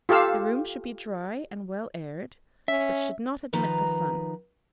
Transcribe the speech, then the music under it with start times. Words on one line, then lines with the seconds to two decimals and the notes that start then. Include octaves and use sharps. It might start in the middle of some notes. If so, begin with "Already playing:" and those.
The room should be dry, and well aired, but should not admit the sun.
0.09 F4 G4 A4 F5 E6
2.68 C#4 E5
3.53 D#3 F3 D#4 B4 A#5